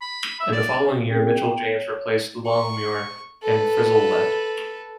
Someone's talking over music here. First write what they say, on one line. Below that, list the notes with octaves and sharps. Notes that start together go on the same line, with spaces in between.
In the following year, Mitchell James replaced Longmuir and Frizell left.
B5
E5
D5
C4 C#4 G#4 A#4 G5
B3 G5
C#5
C#6
A4 B4